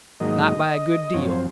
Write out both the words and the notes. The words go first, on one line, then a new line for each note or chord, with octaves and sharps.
Not by a good deal.
G#2 D#3 F#3 A#3 D#5
F#2 F3 C4 C#5
C5